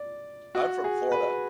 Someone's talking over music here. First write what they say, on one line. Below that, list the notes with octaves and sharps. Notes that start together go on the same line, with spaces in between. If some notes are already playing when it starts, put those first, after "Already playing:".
I'm from Florida.
Already playing: D5
F#4
G#4
B4